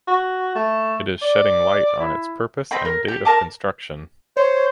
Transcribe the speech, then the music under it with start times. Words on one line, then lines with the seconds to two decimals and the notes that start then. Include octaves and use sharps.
It is shedding light on its purpose and date of construction.
0.08 F#4
0.55 A3
1.22 D5
2.00 E4
2.71 C4 D#4 G5 B5
2.85 A#4
3.08 G4
3.25 A#4 A5 D6
4.37 C5 C#5